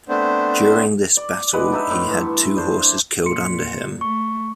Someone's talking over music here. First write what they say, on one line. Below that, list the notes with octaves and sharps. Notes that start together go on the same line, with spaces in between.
During this battle, he had two horses killed under him.
A3 B3 C4 D4 C5
D5
G#3 B4 D5 F#5
D4 D#4 B4 E5
A2 C6 C#6
G2 E3 A5
D4 C5
A#2 C6 C#7
A3 C#6